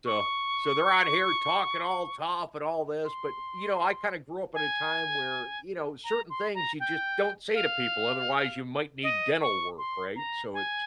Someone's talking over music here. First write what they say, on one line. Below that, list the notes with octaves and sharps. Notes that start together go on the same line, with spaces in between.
So so they're out here talking all tough and all this, but, you know, I kinda grew up at a time where, you know, certain things you just don't say to people, otherwise, you might need dental work, right? So it's
C#6
C6
G#5
A#5
C6
A#5
G5
F5
D#5
C#6
C6
A#5
G#5